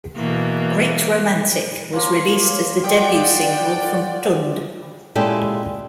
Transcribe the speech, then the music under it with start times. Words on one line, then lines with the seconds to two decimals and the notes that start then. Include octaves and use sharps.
"Great Romantic" was released as the debut single from "Tunde".
0.16 B2 E3 A#3
1.93 F3 A#3 C#5
2.84 F3 G4 G#4 D5 F#5 G5
5.15 A#2 G#3 C#4 E4 G4 A4